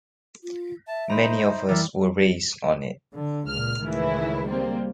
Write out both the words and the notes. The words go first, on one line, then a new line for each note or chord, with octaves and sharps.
Many of us were raised on it.
F4
E5 A5
D#4 C5 A#5 B5
E3 G3 E4 A#4 D5 E5
D3
C#2 A#2 F6
C#2 A2 D#3 E3 E4
G3 A#3 C4